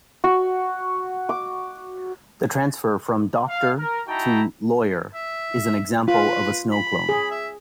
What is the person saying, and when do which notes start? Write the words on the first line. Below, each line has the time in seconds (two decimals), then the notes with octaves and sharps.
The transfer from "doctor" to "lawyer" is an example of a snowclone.
0.24 F#4
1.29 D6
3.48 F5
3.78 A#4
4.07 D#4 E4 F#4 G5 A5 A#5
5.14 E5
6.08 F4 B4
6.72 B5
7.09 G#4
7.31 E5